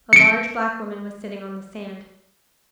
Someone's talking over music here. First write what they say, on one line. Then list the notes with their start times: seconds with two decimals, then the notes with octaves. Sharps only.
A large black woman was sitting on the sand.
0.13 C#7 D7